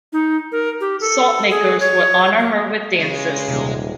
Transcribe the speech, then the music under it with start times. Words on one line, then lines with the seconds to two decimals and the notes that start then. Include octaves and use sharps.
Salt makers would honor her with dances.
0.13 D#4
0.52 A#4
0.81 G4
1.01 A4
1.51 G#4
1.80 C#5
2.38 A#3
2.99 C#3 G#3
3.48 D#1 C3